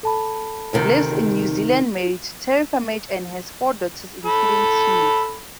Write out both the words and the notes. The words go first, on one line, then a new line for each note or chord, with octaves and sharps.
Lives in New Zealand married to Terry Furmage, and has four daughters including twins.
A4 A5 B5
D2 C3 D#3
A4 B5